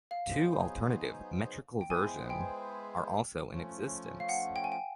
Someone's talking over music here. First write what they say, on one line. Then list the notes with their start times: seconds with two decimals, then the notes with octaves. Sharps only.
Two alternative metrical version are also in existence.
0.11 F5
0.30 F#3 B3 D#4 G#4 C5
1.81 G5
1.90 G#3 B3 E4 G#4 C5 G#5
2.30 G5
3.50 F3 A3 C#4
4.20 F5
4.29 F#5
4.56 G5
4.64 G#5
4.72 G5